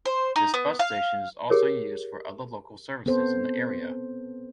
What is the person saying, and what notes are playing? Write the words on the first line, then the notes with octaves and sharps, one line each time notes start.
This bus station is also used for other local services in the area.
C5
D#4
B3
F5
G4 G#4 A#4 C#5
B3 C4 A4 C5